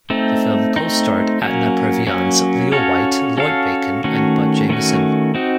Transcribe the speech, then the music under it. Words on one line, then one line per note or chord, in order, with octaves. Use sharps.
The film co-starred Edna Purviance, Leo White, Lloyd Bacon, and Bud Jamison.
A3 C4 D#4
A3 C4 D#4
F#3 A#3 C#4
F#3 A#3 C#4
C#4 F#4 A4 C#5 F5
C#4 F#4 A4 C#5 F5
D#3 A3 C#4 F#4
D#3 A3 C#4 F#4
C4 D#4 F#4